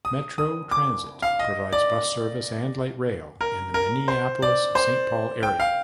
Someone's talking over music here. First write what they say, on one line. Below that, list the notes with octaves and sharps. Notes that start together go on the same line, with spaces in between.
Metro Transit provides bus service and light rail in the Minneapolis-Saint Paul area.
D#6
D#6
D6
F5
D#5
D5
A#4
A#4
C5
D5
C5
G5
F5